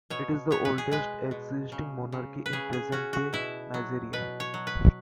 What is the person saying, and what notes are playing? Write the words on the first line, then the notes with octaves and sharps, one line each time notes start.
It is the oldest existing monarchy in present-day Nigeria.
B2 C#5
B3 C#5
B4
G#4
G#3 B4
B2
C#3
C#3
B4
C#3 G#4
G#4
C#4 F#4
F#4
B2 E4
F#3
B2 B4
C#5
F#3
B4